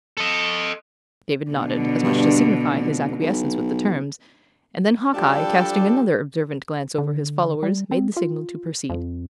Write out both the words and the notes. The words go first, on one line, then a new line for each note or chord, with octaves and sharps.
David nodded, as much to signify his acquiescence with the terms; and then Hawkeye, casting another observant glance over his followers made the signal to proceed.
A4 D#5
B2 D3
G2
F1
B1
F3 G3 D4 G4 A4
D3
G3
C4
F4
F2